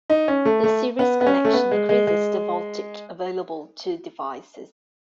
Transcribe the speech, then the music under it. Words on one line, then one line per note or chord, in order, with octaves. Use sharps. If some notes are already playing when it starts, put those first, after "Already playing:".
The series connection increases the voltage available to devices.
D#4
C#4
A3
A3
B3
B3
C#4
A3
B3
G#3
G#3
G#3